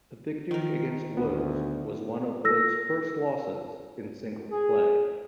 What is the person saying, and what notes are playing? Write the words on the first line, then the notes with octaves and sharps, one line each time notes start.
The victory against Woods was one of Woods' first losses in singles play.
D#3 A#4
D2 B3
A4 E6 A#6
G#4